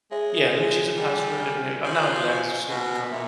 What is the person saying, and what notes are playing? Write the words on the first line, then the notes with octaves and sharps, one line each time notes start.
yeah, "Let me change the password," and, you know, I'm not gonna do that because it's just gonna become
G#3 G#4 C#5 E5 G#5
G#4 C#5 E5 G#5
G3 G#4 C#5 E5 G#5
D#5 G#5 C#6 F6
F3 D#5 G#5 C#6 F6
D#5 G#5 C#6 F6
B2 D#5 G#5 C#6 F6
A#2 E5